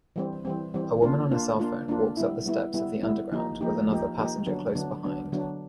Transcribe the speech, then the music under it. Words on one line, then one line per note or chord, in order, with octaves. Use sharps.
A woman on a cellphone walks up the steps of the underground with another passenger close behind.
E3 G3 C4
E3 G3 C4
E3 G3 C4
A#3 D4 F4
A#3 D4 F4
A#3 D4 F4
A#3 D4 F4
G3 B3 E4
G3 B3 E4
G3 B3 E4
G3 B3 E4
F3 A#3 D#4 G4
F3 A#3 D#4 G4
F3 A#3 D#4 G4
F3 A#3 D#4 G4
D3 F#3 B3 D4
D3 F#3 B3 D4
D3 F#3 B3 D4
D3 F#3 B3 D4